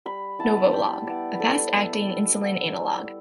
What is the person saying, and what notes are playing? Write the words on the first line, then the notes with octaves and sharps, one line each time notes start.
NovoLog - a fast-acting insulin analog.
G3 B5
B3 E4 A5
G3 G5
B3 E4 D5
B4
G3 A4
B3 E4
G3
B3 E4
G3